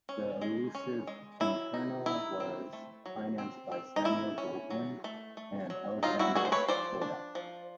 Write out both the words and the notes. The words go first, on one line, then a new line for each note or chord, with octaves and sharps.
"The Elusive Pimpernel" was financed by Samuel Goldwyn and Alexander Korda.
C#4
G#3
C#4
G#3
F#3 E4
D#4
D#4 E4
C4
A3
F#3
C4
C4
D#4
A3 E4
C#4
F#3
A3
A3
F#3
F#3 D#4 F4
E4 F#4
A3 F#4 G#4
C5
B4 C#5
F3 C5 D5
D4
F3